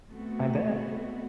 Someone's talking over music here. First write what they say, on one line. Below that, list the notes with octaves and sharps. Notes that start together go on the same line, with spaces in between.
I bet.
A3 B3 C4 F#4